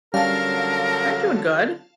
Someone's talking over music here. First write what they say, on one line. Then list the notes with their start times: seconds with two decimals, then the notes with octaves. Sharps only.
I'm doing good.
0.14 D3 F#3 G3 C#4 G4 A#4 F5 A5